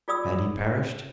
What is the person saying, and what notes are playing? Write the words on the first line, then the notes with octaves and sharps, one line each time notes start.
Had he perished?
F4 G#4 D5 B5 D#6 E6